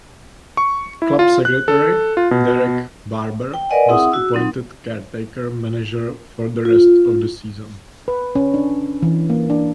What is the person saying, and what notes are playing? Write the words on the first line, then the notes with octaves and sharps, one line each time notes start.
Club secretary Derek Barber was appointed caretaker manager for the rest of the season.
C#6
E4
F4
F#6
A4
F4
B2
G5
A#4 B4 D5 D#5 F#5 G#5
C4 E4 G#4 E5 F#5 D#6
F#4 E6
F#3 C4 D#4
F4
B4
C#4
D4
E3
A#3
D4